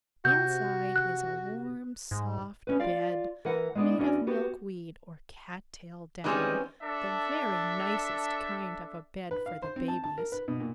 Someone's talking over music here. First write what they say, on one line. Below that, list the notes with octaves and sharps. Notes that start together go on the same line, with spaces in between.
Inside is a warm, soft bed made of milkweed or cattail down, the very nicest kind of a bed for the babies.
C3 F#4 G6
F#6
G#2
E2 C#4 B4
F4 D5 F5
E3 A#4 B4 F#5
G#3 B3 D4
E2 C#4 D4 F#4 G#5
B3 F#4 G4
E3 G3 G#3 C4 C#4 D#4
D4 A4 E5
B4
F5
C5
C4
A5
A5
A#4
B4
B2
A#2